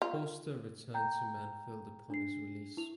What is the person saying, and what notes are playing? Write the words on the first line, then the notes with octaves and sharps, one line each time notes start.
Forster returned to Manfield upon his release.
F4
G5 A#5 G6
D4 C7
E4 F7